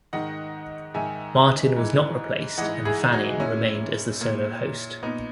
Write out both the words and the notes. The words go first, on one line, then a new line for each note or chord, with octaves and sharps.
Martin was not replaced and Fanning remained as the solo host.
G#2 D#3 D#5 F#5
G#2 D#3 E5 G#5
G#2 E3
G#2 E3 D#5 F#5
E4 G#4
D#4 F#4
A#2 C#4 E4
A#2
A#2 B3 D#4